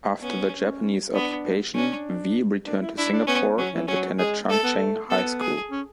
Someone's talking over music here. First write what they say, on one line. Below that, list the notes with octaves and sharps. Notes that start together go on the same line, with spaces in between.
After the Japanese Occupation, Wee returned to Singapore and attended Chung Cheng High School.
B3 C#4
C#4
B3 D4
C#4 D4
D4
E4
D4 E4
D4
B3 C#4
F#3 C#4
E3
F#3 C#4
G#3 G#4
A3 A4
B3
A3
B3 A4
G#4
C#4